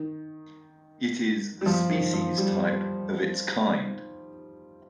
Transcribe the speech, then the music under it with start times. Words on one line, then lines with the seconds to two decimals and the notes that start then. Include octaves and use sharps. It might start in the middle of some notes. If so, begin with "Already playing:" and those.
It is the species type of its kind.
Already playing: D#3
1.61 G3
1.66 F3
1.90 D#3
2.14 F3
2.38 G3